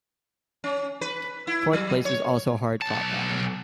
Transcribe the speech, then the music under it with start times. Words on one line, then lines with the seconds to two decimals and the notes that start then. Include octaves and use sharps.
Fourth place was also a hard fought battle.
0.64 C#4
1.01 B4
1.47 E4
1.73 F#3
2.05 C#5
2.82 B1 A5